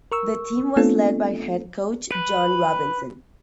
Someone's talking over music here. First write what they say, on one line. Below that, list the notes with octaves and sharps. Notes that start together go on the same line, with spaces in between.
The team was led by head coach John Robinson.
A#4 C#6 E6
A3 B3 C4 D4 F4 A4
B4